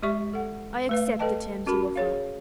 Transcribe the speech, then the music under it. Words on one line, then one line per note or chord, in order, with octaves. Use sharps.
I accept the terms you offer.
G#3 G4 D5 E5 C#6
A4 F#5
A3 B4 F5
A4 B4 D5 D#5 G5 A5
C#4 F#4 A#4 B5
G#4 C#5 F5